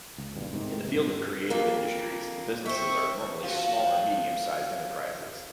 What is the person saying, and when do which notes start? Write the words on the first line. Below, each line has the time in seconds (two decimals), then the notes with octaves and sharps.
In the field of creative industries, the businesses are normally small or medium-sized enterprises.
0.18 C#2
0.36 A#1 E2 G2
0.53 G#2 C3 D#3
0.82 D#1 C3
0.97 G2 C3
1.50 F2 A#3
2.66 C4 E5 C#6
3.43 F3 F#4